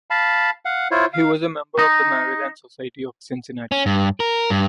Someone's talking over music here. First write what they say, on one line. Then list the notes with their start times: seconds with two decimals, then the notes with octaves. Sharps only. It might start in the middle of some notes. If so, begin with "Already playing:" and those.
He was a member of the Maryland Society of the Cincinnati.
0.10 F5 A5 B5
0.65 F5 F#5
0.91 E4 F4 C5 C#5
1.13 F5
1.79 D#4
3.72 C#4
3.86 G2
4.20 A#4
4.50 G2